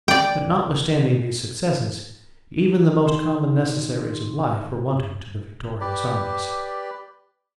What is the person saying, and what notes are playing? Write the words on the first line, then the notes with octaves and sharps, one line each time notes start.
But notwithstanding these successes, even the most common necessaries of life were wanting to the victorious armies.
D5 G5
D#3 C6 E7
G4 B4 D5